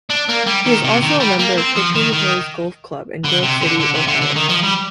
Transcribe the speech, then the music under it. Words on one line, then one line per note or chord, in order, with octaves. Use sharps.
He is also a member of Hickory Hills Golf Club in Grove City, Ohio.
D4
A#3
G3
D#3
C3
D#3
G3
A#3
C4
F3
D#3
D#3
D3
C3
D3
D3
C3
D3
D3
D#3
F3
G3